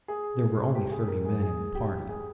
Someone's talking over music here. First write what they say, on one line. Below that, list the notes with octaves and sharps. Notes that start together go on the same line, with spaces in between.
There were only thirty men in the party.
G#4
G4
G#4
A#4
G#4
G#4
G4
G#4